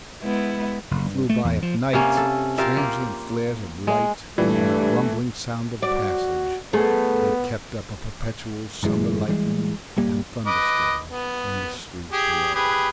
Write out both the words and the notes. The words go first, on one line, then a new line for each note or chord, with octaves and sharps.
As they flew by at night, transient flares of light and a rumbling sound of passage, they kept up a perpetual summer lightning and thunderstorm in the street below.
G#3 B3 E4
F#1
G2
A3
E2
F3
C3 A#3 C#4
A4
F4 G4 A#4 E5
A#3
G#3
G2 A#2 E3 G3 A3
F#4 D5
A3 B3 G#4
G1 F#2 E3 G#3
E3 G3 G#3
D#1 A#1 G3 A#3
B4 D#5 D6
B3
G4 G#4
G4 G#4 B4